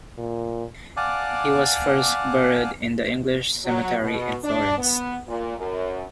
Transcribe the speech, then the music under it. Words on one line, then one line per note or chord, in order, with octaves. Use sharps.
He was first buried in the English Cemetery in Florence.
A#2
D5 F5 F#5 G#5 A5 D6
F#3
B2
D4
B3
A#2
F#2